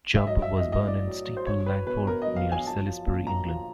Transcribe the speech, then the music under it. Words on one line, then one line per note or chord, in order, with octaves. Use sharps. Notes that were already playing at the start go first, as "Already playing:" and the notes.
Chubb was born in Steeple Langford near Salisbury, England.
E5
F#3 D#5
F#3 E5
D#5
A2 D#5
A2 D5
F#3
F#3
C5
F#3 C#5
F#3 B4
B2 B4
B2 A#4
D#5
F#3
F5
F#3
G#5
F3 A5
F3
A#2
A#2 A#5
F3